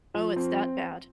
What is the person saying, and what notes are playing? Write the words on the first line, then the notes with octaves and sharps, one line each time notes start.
Oh, it's that bad?
F3
C4